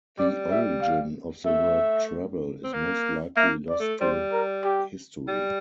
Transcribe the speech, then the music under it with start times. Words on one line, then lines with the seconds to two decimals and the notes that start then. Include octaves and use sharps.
The origin of the word "travel" is most likely lost to history.
0.18 G3 D5
0.51 E5
0.82 F5
1.46 A3 E5
2.64 C4
2.73 A#3
3.37 A#3 E5
3.69 D5
3.80 A3
4.01 G3 C5
4.33 A#4
4.64 G4
5.28 G3